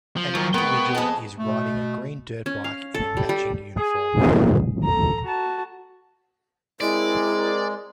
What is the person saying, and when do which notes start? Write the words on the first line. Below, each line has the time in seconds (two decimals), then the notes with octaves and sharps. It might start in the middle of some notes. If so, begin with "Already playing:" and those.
An individual is riding a green dirt bike in a matching uniform.
0.16 F3
0.35 D#2 D#3 F#3
0.54 G#3 A#3 B3 G5 B5 C#6
0.95 F2 G#4 D#5 A5
1.38 B2 A3
2.46 C#4
2.64 F5
2.94 A4
3.17 G3
3.29 G3
3.77 G#4
4.84 A4 A#5
5.25 F#4 A5
6.80 G#3 C4 E4 G#4 A#4 D5